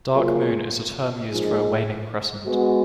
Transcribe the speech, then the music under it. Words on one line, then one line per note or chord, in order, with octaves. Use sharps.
Dark Moon is a term used for a waning crescent.
F#3 A#3 F4 G#4
A#2 F3 G#3 D#4 G#4
G#3 B3 F#4